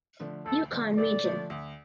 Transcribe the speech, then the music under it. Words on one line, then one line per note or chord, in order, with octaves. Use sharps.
Yukon region.
D3 F3 A3 D4
D2 A4
D3 F3 A3 D4
D2 D5
D3 F3 A3 D4
D2